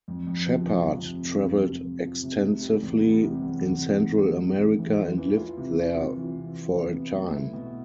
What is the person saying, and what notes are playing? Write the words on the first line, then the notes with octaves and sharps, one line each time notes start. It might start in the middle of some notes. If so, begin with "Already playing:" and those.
Shepard traveled extensively in Central America and lived there for a time.
F2
F2
F3
C3
F2
C3
C3
F2
F2
F2
F3
C3
C3
G3
E2
G3
C3
E2
E2
G3
G3
G3
E2
E2
E3
F4
E3
F4
C3
F4
F4
E3
C3
F4
C3
B3
A3
E4
B2